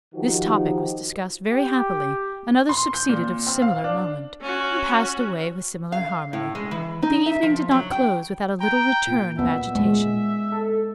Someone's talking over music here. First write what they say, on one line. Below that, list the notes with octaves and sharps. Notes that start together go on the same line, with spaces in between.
This topic was discussed very happily, and others succeeded of similar moment, and passed away with similar harmony; but the evening did not close without a little return of agitation.
D#3 F3 D#4 F#4 G4
G4
C6
G6
A#2
C4
F5
D4
C#4 F#4
F5
A2
G#3
E3
D#4
E5
F3
F#3
G5
G5 A#5
A#2
B3 E5
G#3
A4